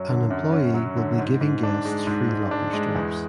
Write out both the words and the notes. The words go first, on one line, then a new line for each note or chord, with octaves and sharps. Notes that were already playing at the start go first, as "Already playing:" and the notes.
An employee will be giving guests free locker straps.
Already playing: F#2 F#3 C#4
D3
F#2
C#4
F#3
D3
G#2
G#2
D4
G#3
G#2
G#2
D4
G#3
E2